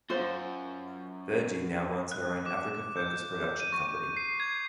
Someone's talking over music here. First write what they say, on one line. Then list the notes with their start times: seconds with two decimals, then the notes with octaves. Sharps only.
Verjee now runs her own Africa focused production company.
0.10 F#2 F4 C5
2.12 F#6
2.46 D6
2.97 G6
3.60 D#7
3.72 C#6
4.17 C7
4.40 G#6